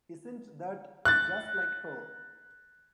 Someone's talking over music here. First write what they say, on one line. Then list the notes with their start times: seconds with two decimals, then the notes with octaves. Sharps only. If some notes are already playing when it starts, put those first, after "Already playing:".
Isn't that just like her?
1.05 F#6 A6